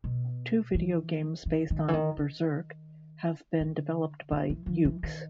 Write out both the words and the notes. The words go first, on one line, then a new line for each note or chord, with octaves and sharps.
Two video games based on "Berserk" have been developed by Yuke's.
B2
E3
D#3
D#3
E3
D#3
D#3
D3
C#3
E3
F3
E3
D#3